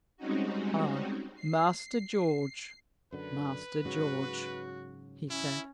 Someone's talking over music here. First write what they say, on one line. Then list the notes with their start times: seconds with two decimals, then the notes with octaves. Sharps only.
"Ah, Master George, Master George!" he said.
0.17 G3 G#3 C4 C#4 D#4 F#4
1.35 C7
3.12 F#2 D3 B4
3.85 G#2 C#3 F#3 F#4
5.30 C#4 E4